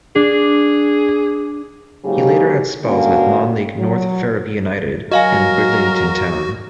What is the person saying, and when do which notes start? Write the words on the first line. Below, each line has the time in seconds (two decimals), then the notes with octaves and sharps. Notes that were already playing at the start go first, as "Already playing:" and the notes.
He later had spells with non league North Ferriby United and Bridlington Town.
0.16 D4 G#4
2.04 G#2 C#3 F#3 A#3 G4
2.84 B2 D3 G3 A#3 C#4 F#4
3.79 F#3
5.12 F#3 F#4 A#4 D#5 F5 G#5